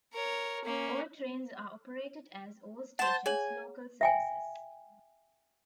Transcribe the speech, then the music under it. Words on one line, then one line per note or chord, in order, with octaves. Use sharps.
All trains are operated as all-stations "Local" services.
A#4 C#5
A#3 C#4
C5 F#5 A5
G#4 C#5 G#5 F#7
E5 G5 G#5